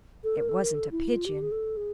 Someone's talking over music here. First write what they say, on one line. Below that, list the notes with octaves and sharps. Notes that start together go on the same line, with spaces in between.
It wasn't a pigeon.
A4
A#4
A4
A#4
A4
E4
F4
G4
G#4
A4
G#4